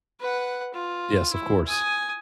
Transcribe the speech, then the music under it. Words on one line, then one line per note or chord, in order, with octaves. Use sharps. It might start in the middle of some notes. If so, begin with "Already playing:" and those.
Yes, of course.
B4 F#5
F4
E4
G#5 D#6